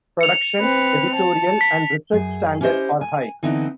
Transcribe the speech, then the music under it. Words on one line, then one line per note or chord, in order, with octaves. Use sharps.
Production, editorial and research standards are high.
C#7 F7
C4 B4
A5
B6
F#2 G#4
C#4 E4 G4 B4 C5 D#5
G#5
D3 E3 B3 C4 D#4 E4